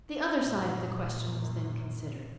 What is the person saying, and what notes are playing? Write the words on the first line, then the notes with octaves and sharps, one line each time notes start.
The other side of the question was then considered.
F#2 A#2